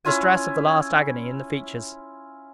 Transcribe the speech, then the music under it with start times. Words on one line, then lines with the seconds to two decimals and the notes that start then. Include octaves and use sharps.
The distress of the last agony in the features.
0.05 C#4 E4 F4 G#5